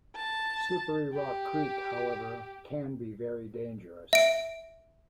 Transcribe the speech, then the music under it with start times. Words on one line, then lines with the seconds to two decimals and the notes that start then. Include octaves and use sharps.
Slippery Rock Creek, however, can be very dangerous.
0.16 A5
1.14 G4
4.13 E5 D7